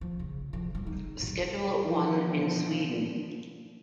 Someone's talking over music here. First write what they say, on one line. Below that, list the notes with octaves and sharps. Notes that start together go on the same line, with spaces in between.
Schedule One in Sweden.
F3
C#3
D3 F3
G2 G3
D#4
A1 F#3
B2 E3 F3